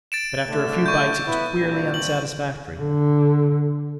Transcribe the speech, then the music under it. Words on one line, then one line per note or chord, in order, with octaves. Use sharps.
But after a few bites, it was queerly unsatisfactory.
A6 D7 E7
C2 D3 A3
C#6 G6
B3 E4
C2 G2 A#2
F#7
D3